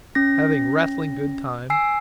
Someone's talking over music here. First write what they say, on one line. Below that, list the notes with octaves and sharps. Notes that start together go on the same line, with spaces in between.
Having rattling good time.
C#4 A#6
G#5 E6 C7